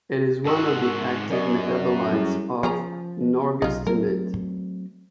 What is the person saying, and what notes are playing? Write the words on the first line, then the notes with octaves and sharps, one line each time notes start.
It is one of the active metabolites of norgestimate.
G#2 F#4 A#4 E6
F#2 A#4 D5 D#5
G3 E4 G#4
C#3 F3 G#4 A#5
B1 D#4 F4
F#3 A3 C4 A#4